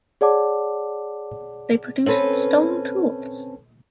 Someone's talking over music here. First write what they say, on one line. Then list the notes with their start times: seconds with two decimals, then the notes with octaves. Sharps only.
They produced stone tools.
0.21 G#4 C#5 D5 F#5 A5 D6
2.06 C4 C#4 A4 B4